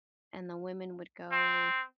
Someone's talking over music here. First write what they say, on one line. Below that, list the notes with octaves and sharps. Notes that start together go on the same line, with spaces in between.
and the women would go,
C4